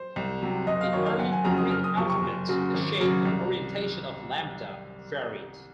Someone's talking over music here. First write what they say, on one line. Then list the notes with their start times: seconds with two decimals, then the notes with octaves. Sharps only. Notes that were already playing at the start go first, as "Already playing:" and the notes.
In early Greek alphabets, the shape and orientation of lambda varied.
Already playing: C5
0.16 C2
0.42 C3 F#3
0.67 F#1 D#5
0.81 F5
0.93 F#2 D#3 F#3 C#5
1.06 F5
1.19 F#1 F#5
1.32 G#5
1.44 F2 C#3 F#3 A#5
1.58 D#6
1.70 F#1 F6
1.84 D#6
1.97 F2 C3 F3 C#6
2.10 C#6
2.22 F#1
2.48 F#2 C#3 F#3
2.74 G#1
3.00 F#2 C#3 F#3
3.25 C2